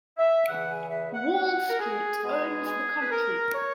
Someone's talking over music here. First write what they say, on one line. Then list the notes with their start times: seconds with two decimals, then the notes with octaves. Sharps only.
Wall Street owns the country.
0.17 E5
0.47 E2 C#3 E3 F#5
0.69 G#5
0.91 E5
1.13 F#5
1.35 F#5
1.69 A#4
1.79 G#4
2.22 B2 G#3 B3 G#4
2.67 G#4
3.00 B4
3.10 A#4
3.53 C#5